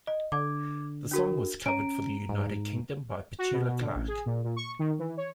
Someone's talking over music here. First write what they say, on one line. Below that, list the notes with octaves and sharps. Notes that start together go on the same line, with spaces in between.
The song was covered for the United Kingdom by Petula Clark.
D#5
D3 D6 G#6
D4 F#4 A#4
C#4 A#5 D7
G#2
F#4
B2
B2
D3
A1
G#4
A#2
A#2
C#6
D#3
E3
C#5